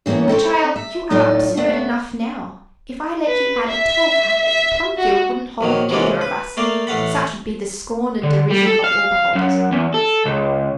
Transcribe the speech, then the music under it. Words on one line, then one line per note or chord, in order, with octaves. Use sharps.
'My child, you are absurd enough now; if I let you add a tall hat, Plumfield wouldn't hold either of us, such would be the scorn and derision of all beholders.
C#3 E3 A#3 B3 C#4
C4 A4 C5 C#5
E5
A2 F#3 D#4 F4 A4 D5
D#2 A3 B3
B4
E5
E5
F#4
A#1 D#3 F#3
C3 E3 F#3 G#3 A#3 D4
C#2
B4
A3 A#3 D5 F5
A1 A3 F5 F#5 B5
D3
G3
A4
F5
F#2
E2
A4
C#2